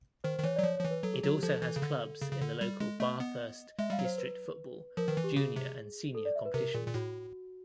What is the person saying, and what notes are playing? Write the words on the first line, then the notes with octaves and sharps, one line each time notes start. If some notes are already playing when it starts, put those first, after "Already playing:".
It also has clubs in the local Bathurst District Football junior and senior competitions.
D#3 C5
D#3
E3 C#5
F#3 D5
F3 C#5
F3 C#5
E3
B4
F#3 A4
G#4
F#3 F#4
G4
F3 A4
E3
C#3
D3
C#3
C#3
D3
G3
G#3
A3 D#5
B3
G#3 E5
G3 F5
F#3
C5
B4
F3 A#4
D#3 B4
E3
G4
C#3 G#4
C3
A4
D5
E5
B4
C3 A#4
A#2 G#4
A#2
A2 F#4